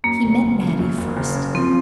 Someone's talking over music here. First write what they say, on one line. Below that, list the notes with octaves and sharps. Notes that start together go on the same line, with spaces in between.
He met Mattie first.
F#2 A#3
F#1
F#1
C#3
F#2
F#1
F#1
C#3
F3 C4